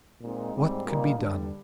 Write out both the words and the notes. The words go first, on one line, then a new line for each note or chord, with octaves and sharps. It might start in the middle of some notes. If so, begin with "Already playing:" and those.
What could be done?
A#2 G#3 C4 D#4
G#2 G3 C4
A#2 G3 A#3 D#4
G2 D3 G3 D4